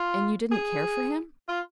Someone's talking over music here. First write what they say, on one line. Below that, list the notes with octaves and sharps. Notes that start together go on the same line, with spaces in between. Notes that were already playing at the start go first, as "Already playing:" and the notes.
"And you didn't care for him!"
Already playing: F4
G#4
F4